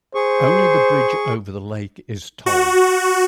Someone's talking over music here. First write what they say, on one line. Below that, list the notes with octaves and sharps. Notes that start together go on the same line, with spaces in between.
Only the bridge over the lake is tolled.
G#4 C5 C#6
F#4